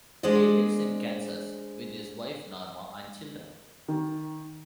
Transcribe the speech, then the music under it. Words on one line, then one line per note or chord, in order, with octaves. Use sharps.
He lives in Kansas with his wife Norma and children.
G#3 D4 C5 D5 D#5
D#3